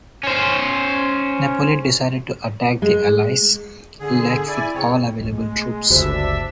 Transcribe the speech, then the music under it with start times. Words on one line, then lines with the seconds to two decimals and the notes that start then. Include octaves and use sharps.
Napoleon decided to attack the allies' left with all available troops.
0.23 C#4 C5
2.82 G#3
4.00 D3 G#4
4.47 E4 D5 G#5
4.75 C#3 C4 C#5
5.19 B1 G#3 A3
5.90 G1 D2 C#3 G#3 D4 F#4 C5 E5